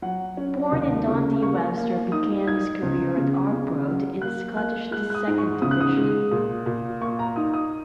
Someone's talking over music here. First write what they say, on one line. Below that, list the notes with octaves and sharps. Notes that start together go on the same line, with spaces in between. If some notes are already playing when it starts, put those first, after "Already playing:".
Born in Dundee, Webster began his career at Arbroath in the Scottish Second Division.
F#3 F#5
C#4
D#2
C#3
A#3 C#6
A#3
D#4 D#6
D#4 G#6
C#2
C#3
C#3
F#3
A#3 F#6
A#3 F#6
G#3 F#6
F#6
D#6
G#2
C#6
C#3 D#6
F#6
D#6
G#3
A#2
A#2
A#3 C#6
A#5
D#4 D#6
D#6